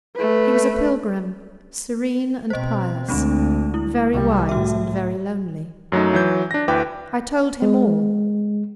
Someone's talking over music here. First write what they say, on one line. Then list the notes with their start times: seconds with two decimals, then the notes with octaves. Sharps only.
He was a pilgrim serene and pious, very wise and very lonely. I told him all.
0.17 A3 B4
2.50 B2 C4 C5 D#5
3.08 D2 G#3 C4 D4
3.74 E4
4.13 C2 G3
4.49 A2 F#4 E5
5.92 F#2 F#3 A3 D#4
6.14 E3 F#3 G6
6.51 D4 A#6
6.68 D2 E4 B4 G5 D6
7.62 G#3